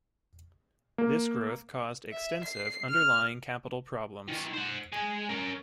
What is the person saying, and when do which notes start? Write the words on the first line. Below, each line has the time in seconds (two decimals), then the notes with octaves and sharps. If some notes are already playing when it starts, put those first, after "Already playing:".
This growth caused extensive underlying capital problems.
0.98 A#3
2.12 E5
2.44 C7
2.89 F6
4.28 D#3 E3
4.53 C5 F#5
4.93 G#3 G#5
5.29 C#4 A#4